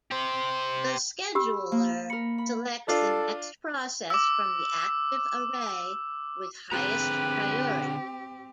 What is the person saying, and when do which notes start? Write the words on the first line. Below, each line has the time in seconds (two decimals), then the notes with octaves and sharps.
The scheduler selects the next process from the active array with highest priority.
0.11 G4 C5
1.35 G4 B5 E6
1.72 A#3
2.10 A#4 B5 C#7
2.38 B5
2.88 D4 F4 A4 D5
4.10 D6 E6
6.71 D3 C4 G4 G#4 B4 A#5